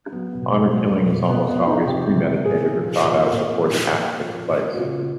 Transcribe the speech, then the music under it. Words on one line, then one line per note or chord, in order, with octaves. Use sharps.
Honor killing is almost always premeditated, or thought out before the act takes place.
F#3 B3
B2
F#3
B2
C3 B3
B3
F3
D#4
C3 G4
C3
A#2 G#4
F3
A#2
A#2
F3 G4
A#2
F3
A#2
F#4
C#3 F4